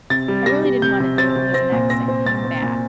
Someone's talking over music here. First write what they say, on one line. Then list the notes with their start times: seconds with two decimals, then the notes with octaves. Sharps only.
I really didn't wanna do it, it was an ex that came back
0.10 C3 A6
0.28 G3
0.46 G3 A#6
0.64 G3
0.82 C3 G6
1.00 C3
1.18 C4 A6
1.36 C3
1.54 C4 A#6
1.72 A#2
1.90 C4 A#6
2.08 C4
2.26 C4 A6
2.44 C4
2.62 A#2